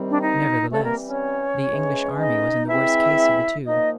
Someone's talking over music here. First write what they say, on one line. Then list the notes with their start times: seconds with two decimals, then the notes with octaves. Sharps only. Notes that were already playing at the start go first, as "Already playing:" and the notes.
Nevertheless, the English army was in the worse case of the two.
Already playing: C3 D#3 G3 C4
0.09 D4
0.22 D#4
0.71 E3 G3 A3 C4 A4
0.83 A#3 A#4
1.08 C#4 C#5
1.70 E3 G#3 C#4
2.19 D#4 D#5
2.68 E3 G#3 C4 E4 E5
3.67 A#2 F3 A#3 D#4 D#5